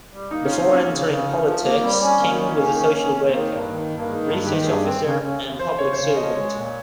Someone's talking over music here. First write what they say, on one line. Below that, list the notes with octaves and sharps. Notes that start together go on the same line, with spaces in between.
Before entering politics, King was a social worker, research officer and public servant.
G3
A#3 D#4
C#4
F4
C4
A#3 C#4
C#3
C#3
F3
F3
A#3
G3 C4
C#4
D#3 A#3
C#4
D#3 A#3
C#4
D#3
D#3
C4
D#3 A#3
G2
D#3
G2
A#3
D#3 G#3
G2
D#3 G4
G2 G#4
C4
C#3
C#3
D#2
F3 C5
C#3 C#5
C5
C#3 C#5
F3 D#5
G#3 C#5
A#2